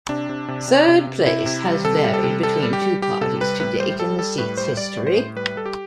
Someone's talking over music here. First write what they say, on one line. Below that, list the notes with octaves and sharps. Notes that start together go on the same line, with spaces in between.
Third place has varied between two parties to date in the seat's history.
C3 D4
C3
C3
C3
C3
C3
C3 E4
C3
G3
C3 A4
G3
A4
C3
G3 A4
G3
G4
G3
G3 G4
C3 A4
G3 B4
A2 B4
G3 C5
G3 A4
G3 A4
A2 B4
G3 C5
G3 D5
A2
C5
A2
G3 B4
G3 A4
G4